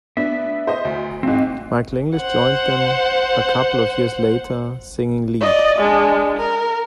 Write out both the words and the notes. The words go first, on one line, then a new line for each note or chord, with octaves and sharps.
Michael English joined them a couple of years later singing lead.
B3 D4 E5
C5 D#5
D2
B1 G#2 C4
C5 F#5
D5 D#5
G#3 D4
A#4